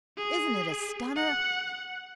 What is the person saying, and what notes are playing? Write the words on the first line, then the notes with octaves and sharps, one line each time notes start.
Isn't it a stunner?
G#4
F#5